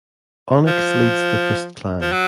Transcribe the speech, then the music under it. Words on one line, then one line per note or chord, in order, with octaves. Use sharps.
Onyx leads the Fist Clan.
F3
F3
F#3